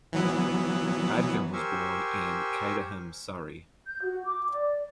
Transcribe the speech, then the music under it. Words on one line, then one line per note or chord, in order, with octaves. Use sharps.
Padgham was born in Caterham, Surrey.
E3 F#3 B3
G4 A#4 C5 G#5 C#6 E6
G6
F#4
D6
D5